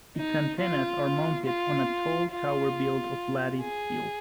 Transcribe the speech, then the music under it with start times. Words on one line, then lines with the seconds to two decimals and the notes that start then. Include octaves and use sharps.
Its antennas are mounted on a tall tower built of lattice steel.
0.17 D#4
0.60 F4
1.45 F4
2.32 F4
3.61 G#4